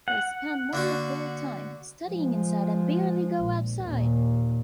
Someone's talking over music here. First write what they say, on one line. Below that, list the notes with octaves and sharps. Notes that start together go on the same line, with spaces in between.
They spend most of their time studying inside and barely go outside.
F#5
D3 A#3 F#4
F3 G#3
A#1
D#2 A#2